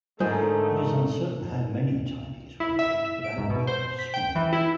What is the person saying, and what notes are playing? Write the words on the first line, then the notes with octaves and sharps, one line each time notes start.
It is uncertain how many Tinys were made but output was small.
G#2 D3 A3 D#4 G#4 A#4 C5 G#5
E4
E5
D7
G#2
B2
C5
B6
G5
E3
E4